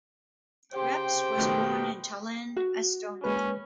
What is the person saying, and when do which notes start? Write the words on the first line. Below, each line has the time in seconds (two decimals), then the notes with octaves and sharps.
Reps was born in Tallinn, Estonia.
0.74 C#3 G4 C5 G5
1.37 B2 D#3 A3
2.56 F#4
3.24 G#3 A#3 C#4 B4